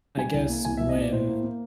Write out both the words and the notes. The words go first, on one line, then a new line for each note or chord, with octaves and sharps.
I guess when,
G3 G#5
C2
A#3
C2 G#5
E5
C2
D#5
A#2
D5
A2 C5
A#3
A#3